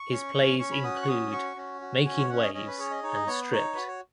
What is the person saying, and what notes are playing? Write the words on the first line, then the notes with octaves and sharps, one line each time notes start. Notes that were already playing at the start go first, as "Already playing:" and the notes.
His plays include "Making Waves" and "Stripped".
Already playing: C#6
C#4
C#4
C#4 C#6
B5
F#4 D#6
F#6
C#6
C#4 D#6
F#4 C#6
C#4
F#4
C#4 G#5
C#5
C#4 F#5
D#5
C#4 D#5
B4
G#4 C#5
D#5
D#4 C#5
D#5
B3 C#5
D#4 C#5
F#4 B4
C#5